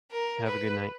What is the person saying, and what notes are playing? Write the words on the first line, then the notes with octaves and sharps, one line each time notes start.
Have a good night.
A#4
B4